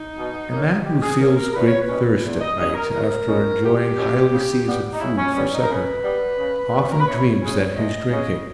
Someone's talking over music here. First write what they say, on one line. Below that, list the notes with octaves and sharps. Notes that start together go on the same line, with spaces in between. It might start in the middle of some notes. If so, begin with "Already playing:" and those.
A man who feels great thirst at night after enjoying highly seasoned food for supper, often dreams that he is drinking.
Already playing: D#4
B2
A#3 C#4
B2 G4
G#4
A#3 C#4 A#4
A#4
E2 B4
C#5
B4
B2 G3 C#4
E2
D#5
B2 G3 C#4 D#5
A#4
E2 A#4
B2 G3 C#4
E2 G4
B2 G3 C#4
C#3
G3 B3
D#4
C#3 E4
C#4
G3 B3 C#4
D#4
A#4
C#3 B4
G3 B3
C#3
G3 B3
A#4
B4
E2 C#5
C#3 G#3 C#4
E2 D#5
C#3 G#3 C#4